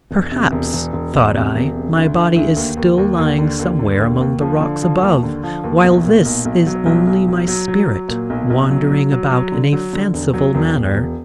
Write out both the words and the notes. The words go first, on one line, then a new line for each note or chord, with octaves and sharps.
Perhaps, thought I, my body is still lying somewhere among the rocks above while this is only my spirit wandering about in a fanciful manner.
E1
C3
E1
E1
E1
E1
C3
E1
C3
D2
D2
D2
D#2
D#2
D#2
D#2
D3
D#2
D3
D#2
D#2
F3
D3
F3
D#2
D3
F3
D#2
B1
A#2
B1
B1
F#3
B1
B1
F#3
F#3
F#3
F#3
A#2
B1
B1
F#3
F#3
F#3
F#3
D3
F#3
D3
E1
F#3
E1
E1
E1